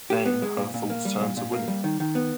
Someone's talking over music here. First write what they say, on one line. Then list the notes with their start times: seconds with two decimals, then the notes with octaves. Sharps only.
Then her thoughts turned to William.
0.10 G4
0.26 B3
0.42 G#3
0.57 A#2
0.74 A#2
0.90 A#3
1.05 G3
1.21 A#2
1.37 A#2
1.52 A#3
1.68 G3
1.84 D#3
2.00 D#3
2.15 B3